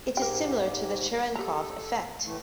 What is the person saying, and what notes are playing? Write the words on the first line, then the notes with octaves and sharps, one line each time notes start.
It is similar to the Cherenkov effect.
G#2 G4 A#4 G5
G4 A4 A#5
A2 E3 A3